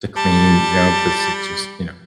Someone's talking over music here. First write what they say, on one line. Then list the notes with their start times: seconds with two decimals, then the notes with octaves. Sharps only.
to clean, you know, 'cause it just you know?
0.16 G3 A5